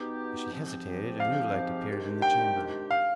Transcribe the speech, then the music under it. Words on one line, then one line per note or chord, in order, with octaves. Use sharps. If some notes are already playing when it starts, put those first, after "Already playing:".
As she hesitated a new light appeared in the chamber.
Already playing: B2 B3 D#4 G4
G#2 F3 C4 G4
F5
C3 D#3 G#3 D4 G4
G5
F5